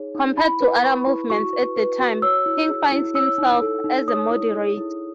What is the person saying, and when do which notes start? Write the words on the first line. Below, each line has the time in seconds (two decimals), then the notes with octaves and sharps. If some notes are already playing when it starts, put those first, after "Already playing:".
Compared to other movements at the time, King finds himself as a moderate.
Already playing: D#4 G#4 C#5
0.15 D#4
0.38 E4 B5
0.60 B4
0.84 B4 C#6
1.07 E4
1.30 F#4 C#6
1.53 B4
1.76 B4
2.00 F#4
2.22 C#5 E6
2.46 E4
2.69 G#4
2.92 E4
3.15 C#5 E6
3.38 D#4
3.62 A4
3.84 D#4
4.08 C#5 D#6
4.31 E4
4.53 G#4
4.77 E4